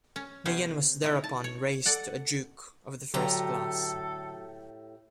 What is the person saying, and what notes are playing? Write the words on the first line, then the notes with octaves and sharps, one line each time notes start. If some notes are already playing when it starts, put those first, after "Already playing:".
Nian was thereupon raised to a Duke of the First Class.
C#4
C3 B3 C#4 C5
D#4 E4 A#5
A5
C#5
A4 D5 F#5
A2 D3 F#3 G4 A4 A#5